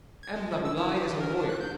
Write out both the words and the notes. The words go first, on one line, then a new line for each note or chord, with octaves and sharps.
M. Laboulaye is a lawyer.
G#6
G#3
F3
E6
E4
G4
E3
A#4
D4
F#6
G6